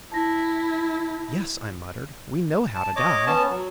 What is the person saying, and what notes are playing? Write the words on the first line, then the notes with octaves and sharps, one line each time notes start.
"Yes," I muttered, "we know how to die!"
E4 A5 A#6
A5
C#5 D#5 D6
B3 C#4 A5
F#3